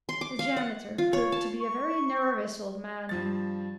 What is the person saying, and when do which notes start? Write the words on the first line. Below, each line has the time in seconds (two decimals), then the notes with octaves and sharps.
The janitor proved to be a very nervous old man.
0.09 C6
0.21 D6
0.39 F5
0.56 F#5
0.98 F4
1.13 C#5
1.32 A5
1.60 C#6
3.09 G2 F3 A6